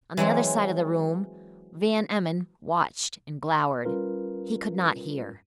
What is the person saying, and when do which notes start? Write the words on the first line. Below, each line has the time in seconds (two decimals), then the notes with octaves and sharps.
On the other side of the room, Van Emmon watched and glowered; he could not hear.
0.17 E3 F#3 G#3 C4
3.85 G3 C#4 F4 A#4 B4